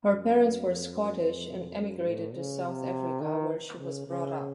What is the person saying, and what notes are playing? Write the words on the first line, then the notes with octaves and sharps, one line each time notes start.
Her parents were Scottish and emigrated to South Africa where she was brought up.
F#2
F2
F#2
F2
F#2
A2
C#3
C3
D#3
C#3
C#3